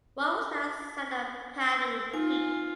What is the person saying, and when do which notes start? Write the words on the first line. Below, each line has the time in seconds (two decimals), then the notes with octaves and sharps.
What was that sound of pattering feet?
1.69 E6
2.14 D#4 F4 G#5